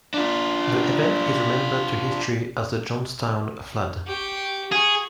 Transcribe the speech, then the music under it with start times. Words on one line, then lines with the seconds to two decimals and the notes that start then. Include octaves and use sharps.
The event is remembered to history as the Johnstown Flood.
0.14 D4 F4
4.07 G4 C#6
4.72 F#4 G#4